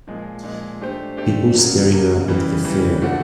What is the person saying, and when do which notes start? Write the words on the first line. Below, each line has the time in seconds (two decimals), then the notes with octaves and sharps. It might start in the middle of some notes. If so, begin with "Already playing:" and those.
People staring up at the fair.
0.07 A#2 F3 G#3
0.43 A#2 F3 G#3
0.81 A3 D4 G4 C5
1.17 A3 D4 G4 C5
1.54 C#3 F#3 A#3
1.91 C#3 F#3 A#3
2.28 C#3 E3 G3
2.65 C#3 E3 G3
3.01 A#2 F3 A3 D4 F#4